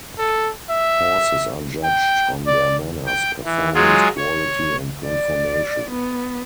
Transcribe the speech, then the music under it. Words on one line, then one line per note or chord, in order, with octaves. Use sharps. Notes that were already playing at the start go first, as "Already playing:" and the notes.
Horses are judged on their manners, performance, quality and conformation.
A4
E5
G5
D5
G5
E3
F#3 G#3 F4 G#4
C#5
D5
B3